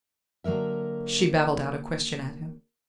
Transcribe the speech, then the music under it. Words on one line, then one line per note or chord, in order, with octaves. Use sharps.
She babbled out a question at him.
D3 F#3 A#3 A#4 E5